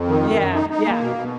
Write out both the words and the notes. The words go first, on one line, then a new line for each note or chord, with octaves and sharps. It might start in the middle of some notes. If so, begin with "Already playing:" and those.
Yeah, yeah.
Already playing: F2
D#3
F#2
F#2
D#4
D#4
A#3
B2
B2